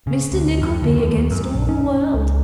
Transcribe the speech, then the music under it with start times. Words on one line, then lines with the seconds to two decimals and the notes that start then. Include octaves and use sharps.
Mr Nickleby against all the world.
0.07 C#3
0.32 D2
0.61 F2
0.82 D2
0.97 D#2
1.30 F#2
1.54 A#1
1.69 C#4
2.14 C#2